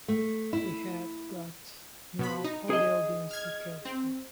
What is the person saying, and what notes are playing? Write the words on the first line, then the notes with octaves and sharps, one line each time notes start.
He had got now all the audience he cared for.
A3
E4
B2 B3 B5
D#4
G#4 D#5
F6 G#6
C4